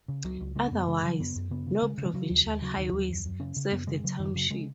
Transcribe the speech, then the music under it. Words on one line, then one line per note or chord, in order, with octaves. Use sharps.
Otherwise, no provincial highways serve the township.
C#3
C#2 F#3
C#2
C#3 G#3
C#4
F#2 B3
C#3 G#3
C#3 F#3
F#2 B3
F#2
C#3 B3
C#3
C#3 G#3
C#3 G#3
C#3 F#3
D#2
D#2
C#3 F#3
D#2 D#3
D#2 F#3
F#2
F#2
C#3 C#4
C#3
F#2 B3
C#3 G#3
C#3 F#3
F#2 D#3
C#3 F#3
C#3 G#3